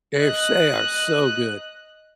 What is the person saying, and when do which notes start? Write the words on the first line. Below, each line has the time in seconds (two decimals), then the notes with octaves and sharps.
Yes, they are so good.
0.17 D#5 F#6